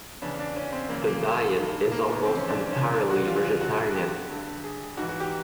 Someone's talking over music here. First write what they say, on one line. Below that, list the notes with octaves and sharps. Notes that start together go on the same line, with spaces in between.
The diet is almost entirely vegetarian.
E2 C#3 E3 D4
D4
C#4
C4
F#2 C#3 E3 A#3
A#3
G2 D#3
A#3
B3
F2 C#3 E3 C4
C#4
D4
C#4
D4
E2 C#3 E3 D4
F#4
F4
G2 D3 F#4
G4
G2 D3
G#4
G#2 E3 F#4
F#4
G4